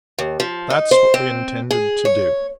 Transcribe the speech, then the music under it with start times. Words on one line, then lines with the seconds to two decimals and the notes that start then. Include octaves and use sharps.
That's what we intended to do.
0.18 D#2
0.40 F3
0.70 D#4
0.91 C5
1.14 C4
1.71 G#4
2.05 C#5